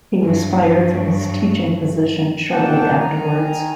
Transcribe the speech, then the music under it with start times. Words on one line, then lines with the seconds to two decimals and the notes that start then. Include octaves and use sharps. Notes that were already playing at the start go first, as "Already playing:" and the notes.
He was fired from his teaching position shortly afterwards.
0.22 G2 F#3
2.51 A#2 D#3 A#3 F#5 G5 A5
2.99 D#3 G#5 A#5